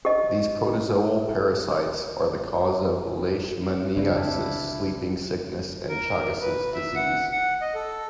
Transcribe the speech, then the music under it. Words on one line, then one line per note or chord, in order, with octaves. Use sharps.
These protozoal parasites are the cause of leishmaniasis, sleeping sickness and Chagas' disease.
G4 D#5
C#2 C4 D4 E4
A#4
B4
E5
F#5
F#5
D#5
A4